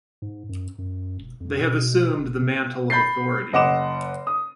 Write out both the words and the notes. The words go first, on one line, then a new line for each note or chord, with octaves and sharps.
They have assumed the mantle of authority.
G#2
F#2
F#2
E1
F2
B2
F#1
C3
B5 G6 A6 C7
F#1 D#5 F#5 D6 E7
D#6